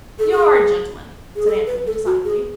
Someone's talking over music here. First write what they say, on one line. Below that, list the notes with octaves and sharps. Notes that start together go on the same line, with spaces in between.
"You're a gentleman," said Anthony, decidedly.
A4
G#4
G#4
A4
B4
A4
F#4
G#4